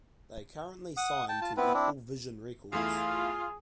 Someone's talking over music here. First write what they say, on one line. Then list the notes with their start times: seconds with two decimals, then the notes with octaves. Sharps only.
They are currently signed to Equal Vision Records.
0.97 F#5 D#6
1.29 G5 A5
1.41 F4 A5
1.57 B3 C4 E4 B4
1.74 C4 D4 E4
2.73 E2 A3 E4 F4 G#4